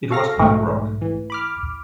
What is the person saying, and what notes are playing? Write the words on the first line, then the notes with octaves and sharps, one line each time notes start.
It was punk rock.
F#4 A4 F5 F6 A#6
B1 G#2 A3
E3
B5 D6 F6